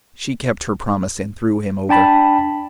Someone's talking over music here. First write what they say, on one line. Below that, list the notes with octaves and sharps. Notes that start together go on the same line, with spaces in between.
She kept her promise and threw him over.
D4 G5 A5 B5